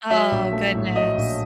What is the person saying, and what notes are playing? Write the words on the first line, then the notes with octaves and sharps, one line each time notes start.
Oh goodness.
F#3 E5
A#1
A3
A2
F#3 D#5
A#1